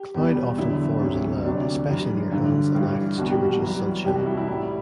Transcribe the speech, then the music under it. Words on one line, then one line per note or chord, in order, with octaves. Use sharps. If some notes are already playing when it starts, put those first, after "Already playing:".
Cloud often forms inland especially near hills, and acts to reduce sunshine.
Already playing: G4
E2 B2 G3
E2 D3 F#3 E4
D2 C3 F#3
D2 C3 F#3 D4
F#2 E3 G3
G2 D3 F#3
G2 E3 G3
C2 B2 G3 F#4
G4
F#4
F#2 E3 G3
C2 C3 G3 G4
F#4
E4
E4
A2 G3 E4